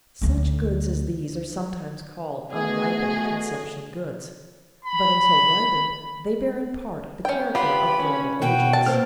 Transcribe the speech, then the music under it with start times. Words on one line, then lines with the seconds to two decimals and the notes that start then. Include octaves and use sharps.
Such goods as these are sometimes called unripened consumption goods, but until ripened they bear in part the character of durable agents.
0.22 D2 A3
2.51 A3 B3 F#4 G#4 D#5
4.85 B5
7.25 C#4 G5
7.55 B3 F4 G4 B5
7.99 C#4
8.42 B2 F#4 G5
8.73 A5
8.86 A#2 B3 C4 F6